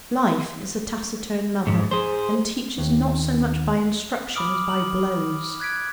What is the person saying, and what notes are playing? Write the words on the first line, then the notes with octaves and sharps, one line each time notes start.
Life is a taciturn mother, and teaches not so much by instruction as by blows.
F2 G#2
G#4 C5
D#2
B5 D6 D#6 F6 D7
F#7
F#6 G#6 B6 D7